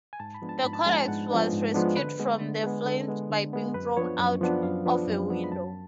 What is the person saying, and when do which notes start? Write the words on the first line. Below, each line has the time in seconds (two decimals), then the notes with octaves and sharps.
The codex was rescued from the flames by being thrown out of a window.
0.13 G#5
0.20 G#2 A5
0.34 B5
0.42 F3 G#3 B3 D4
0.49 A5
0.64 G#2 B5
0.73 A5
0.84 F3 G#3 B3 D4 G#5
0.93 A5
1.08 G#2 F#5
1.30 F3 G#3 B3 D4
1.53 G#2
1.74 F3 G#3 B3 D4
1.97 D3 B4
2.20 G#3 B3
2.41 D3
2.63 G#3 B3
2.86 D3 A4
3.08 G#3 B3
3.30 D3
3.53 G#3 B3
3.74 F#2 B4
3.97 F3 B3 D4 C#5
4.19 F#2
4.41 F3 B3 D4
4.63 F#2 F5
4.86 F3 B3 D4
5.08 F#2
5.30 F3 B3 D4
5.44 B5
5.52 F#2 A5